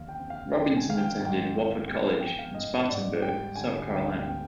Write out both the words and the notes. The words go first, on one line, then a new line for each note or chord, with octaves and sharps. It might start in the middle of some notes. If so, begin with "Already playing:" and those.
Robinson attended Wofford College in Spartanburg, South Carolina.
Already playing: D#2 D3 F3 F5
G5
C4
F5
G#3 G5
G#5
D#3 F5
G5
G#2 G5
C4
B3 G5
G#5
F3 G5
F5
G#2 D#5
G#2 D5
G3 G5
D3 G#5
D2 G5
F5
B3 G5